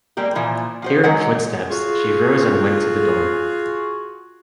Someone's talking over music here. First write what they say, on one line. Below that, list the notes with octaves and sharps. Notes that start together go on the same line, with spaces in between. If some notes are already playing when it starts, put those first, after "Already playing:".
Hearing footsteps, she rose and went to the door.
G3 G#3 A#3 G4
A#2 E3 F3
F3 F#4 C5
F#3 G#3 F#5
F4 F#4 G#4